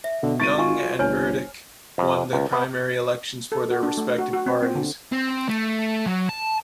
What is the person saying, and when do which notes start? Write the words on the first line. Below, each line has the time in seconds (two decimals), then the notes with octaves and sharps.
Young and Burdick won the primary elections for their respective parties.
0.04 E5
0.23 B2 D3
0.40 G#1 C#6 A6 D7 D#7
0.58 F4 F#4 D#5 G#5 C#6
0.99 G1 C#5 G#5 F6
1.98 F2
2.33 C#2
2.53 B3
3.52 A4
3.70 F#4
3.83 D4
3.97 A3
4.18 F#4
4.33 F#4
4.46 C4
4.63 C4
4.75 D3
5.12 C4
5.48 A3
6.06 F#3
6.29 A5